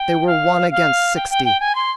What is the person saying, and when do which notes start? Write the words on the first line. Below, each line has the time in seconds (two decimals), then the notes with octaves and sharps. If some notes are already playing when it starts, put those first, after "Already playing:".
They were one against sixty.
Already playing: G5
0.27 F5
0.71 F5
1.16 G5
1.30 G5
1.45 G5
1.60 G#5
1.75 C6